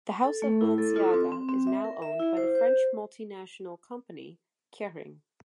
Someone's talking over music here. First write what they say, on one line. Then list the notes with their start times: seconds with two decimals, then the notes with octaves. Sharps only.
The House of Balenciaga is now owned by the French multinational company Kering.
0.24 A4
0.42 A3
0.61 E4
0.78 A4
0.96 F4
1.13 C4
1.32 C4
1.49 C4
1.67 E5
1.85 A#4
2.02 E5
2.19 E4
2.37 C5
2.55 C5